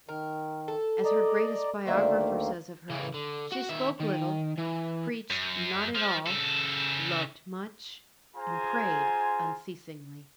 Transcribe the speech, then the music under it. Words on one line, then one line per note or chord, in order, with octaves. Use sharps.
As her greatest biographer says of her: "She spoke little, preached not at all, loved much, and prayed unceasingly."
D#3 A#4
A4
D5 D#5 A#5
D2 D#3 A#3 C5 D5 E5
C#3 E3
D3
F#4
D#3 E5
D#3
E3
F#2
F3
C#3 A4
F4 G#4 C5 G#5 A#5